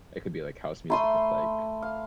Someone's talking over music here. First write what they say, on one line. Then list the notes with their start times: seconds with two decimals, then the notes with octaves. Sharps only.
It could be, like, house music with, like
0.90 A3 B5 C6 D#6
1.82 F5